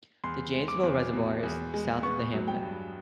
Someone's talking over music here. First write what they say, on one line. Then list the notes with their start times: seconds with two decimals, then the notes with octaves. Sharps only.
The Jamesville Reservoir is south of the hamlet.
0.24 E2 C6
0.54 G#3
0.68 D6
0.83 E2
1.13 B2
1.43 E2
1.74 G#3
2.03 B3 C#6
2.33 F#3
2.48 G5
2.62 G2